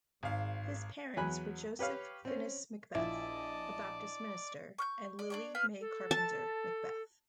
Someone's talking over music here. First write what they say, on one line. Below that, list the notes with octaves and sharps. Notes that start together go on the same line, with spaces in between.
His parents were Joseph Phinis McBeth, a Baptist minister, and Lillie May Carpenter McBeth.
G#1 G#2 F5
E2 F#3 G#5 B5 F#6
G4 B4 C#5 F5
C4 C#4
A#1 E4 F4 D5 D#5 A5
C#6 F6 G6
D5
D4 C#5 D5
F4 B4 F5
A4
A5